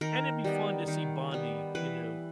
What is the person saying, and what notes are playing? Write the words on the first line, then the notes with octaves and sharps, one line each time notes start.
And it'd be fun to see Bondi, you know,
D#3 A#4
G3 B3
D#3
G3 B3
E3 B4